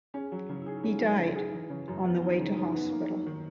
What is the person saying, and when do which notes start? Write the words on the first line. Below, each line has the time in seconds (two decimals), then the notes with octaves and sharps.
He died on the way to hospital.
0.14 C#4 G#4
0.32 F#3 E4
0.49 C#3 E4
0.62 E4
0.66 D#4 G#4
0.83 C#4 E4
1.01 F#3
1.18 C#3
1.36 G#4
1.53 E3
1.70 C#3
1.88 F#2
2.05 B3
2.22 E3 D#4
2.40 C#3
2.57 F#2 D#4
2.74 B3
2.91 A#3
3.09 F#3
3.27 D#3